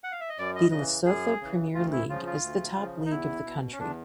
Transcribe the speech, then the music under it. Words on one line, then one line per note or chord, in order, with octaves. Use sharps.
The Lesotho Premier League is the top league of the country.
F#5
F5
E5
D#5
F#2 D5
D#5
C#3 D#5
E3
F#2 G#4
C#3 E3
D2 F4
E4
C#3 F3 F4
F4
D2
C#3 F3
D#4
E2 E4
B2
C#4
E2 D4